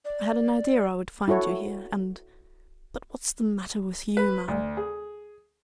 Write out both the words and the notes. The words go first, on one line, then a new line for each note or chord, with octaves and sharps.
I had an idea I would find you here, and--but what's the matter with you, man?
D5
E4 F#4 A4 C#5
B4
D2
G#4